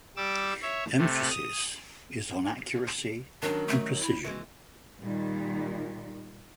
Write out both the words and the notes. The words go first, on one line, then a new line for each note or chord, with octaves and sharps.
Emphasis is on accuracy and precision.
G3 D6 E6
C#5 E5
C3 A3
D#6
D#3 F#3 C#4 D4
A3
E4
E3 G#3 F#4
A#2 D#3 G3